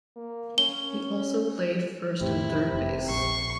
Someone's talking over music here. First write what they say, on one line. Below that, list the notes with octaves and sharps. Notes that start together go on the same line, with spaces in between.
He also played first and third base.
A#3
C#4 G7
F2 A2 C3 E4
F1
A#1 C#6 C7